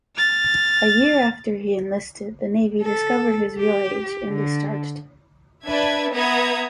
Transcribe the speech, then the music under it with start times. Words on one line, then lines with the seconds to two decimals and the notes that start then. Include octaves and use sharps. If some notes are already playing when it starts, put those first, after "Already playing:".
A year after he enlisted, the Navy discovered his real age and discharged him.
0.16 F6 A6
2.82 A4
3.59 G4
4.28 D3
5.65 D4 B4 E5 G#6
6.12 B3 E5 A#5 D#6 G#6